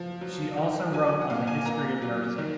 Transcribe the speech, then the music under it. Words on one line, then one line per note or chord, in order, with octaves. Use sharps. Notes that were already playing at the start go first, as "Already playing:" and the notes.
She also wrote on the history of nursing.
Already playing: F3
F#3
D#3
F#3 G#5
F#5
A#2 F5
G#5
A#3 A#5
F#3
D#3